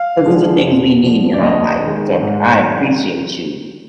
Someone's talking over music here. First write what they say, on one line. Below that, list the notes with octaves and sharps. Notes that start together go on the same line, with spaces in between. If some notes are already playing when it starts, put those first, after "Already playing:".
'cause these are things we need in our life, so I appreciate you.
Already playing: F5
D3 F3 G#3
F2
D3 F3
D5
D#2 D#5
D#3 G#3
G#2
D#3 F#3